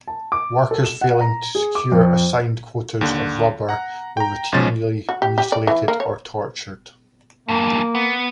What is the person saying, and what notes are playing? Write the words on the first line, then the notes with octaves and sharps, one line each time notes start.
Workers failing to secure assigned quotas of rubber were routinely mutilated or tortured.
A5
D6
A4
E7
F#5
A#5
G#4
D6
F2
D#2 D3
F#5 A#5
G5 A#5
B1 G#2 F3 G#3 C#4 A6
F#4
G4
G4
D5
E3
A#3
C#5
E2 G2 A#3
B3